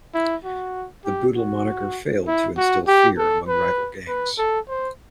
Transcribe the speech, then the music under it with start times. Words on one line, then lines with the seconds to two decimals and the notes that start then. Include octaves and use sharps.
The Boodle moniker failed to instill fear among rival gangs.
0.14 E4
0.44 F#4
1.05 G4
1.36 F#4
2.27 E4
2.57 F#4
2.87 G4
3.17 A4
3.48 B4
4.08 B4
4.38 A4
4.69 C5